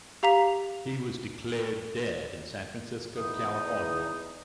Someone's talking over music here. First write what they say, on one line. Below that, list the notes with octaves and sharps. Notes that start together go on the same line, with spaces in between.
He was declared dead in San Francisco, California.
G4 F5 A#5 B6 F7
E2 D#4 D#6